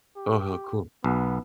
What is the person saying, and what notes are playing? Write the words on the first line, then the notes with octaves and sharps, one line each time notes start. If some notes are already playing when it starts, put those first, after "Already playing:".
Oh, how cool.
G4
B1 B3